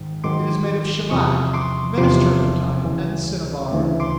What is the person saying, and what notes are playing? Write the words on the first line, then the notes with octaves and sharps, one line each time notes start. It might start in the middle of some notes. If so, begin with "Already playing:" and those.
It is made of shellac, Venice turpentine and cinnabar.
Already playing: G#2 D#3
G#2 D#3 F#3 C6 D6
E2 C3 F3 C#6 D#6
C6 D6
E2 C3 F3 C6 D6
D2 C#3 E3
D2 C#3 E3
C6 D6